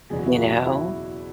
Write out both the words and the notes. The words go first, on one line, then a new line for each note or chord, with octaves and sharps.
you know?
F#1 E2 B2 F#3 G#4
F#4
E4
F#4
E4